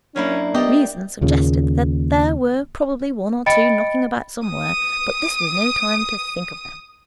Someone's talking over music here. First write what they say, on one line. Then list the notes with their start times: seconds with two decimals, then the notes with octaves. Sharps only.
Reason suggested that there were probably one or two knocking about somewhere, but this was no time to think of them.
0.16 F#2 A#3 C#4 D4 E4
0.54 B3 G4 D5 D#5
1.21 D#2 A#2 C#3
3.46 D#5 G5 B5 A6 C#7 D7
4.47 D#6 D#7